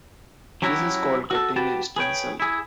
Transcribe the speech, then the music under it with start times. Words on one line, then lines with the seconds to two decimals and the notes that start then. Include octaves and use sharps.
This is called cutting a stencil.
0.62 F#3 C#4 E4 F#4 G4
1.31 F#4 A4
1.56 F#4 G4 B4 G5 A5
1.96 G#4 B4 C#5 G5
2.40 E4 G#4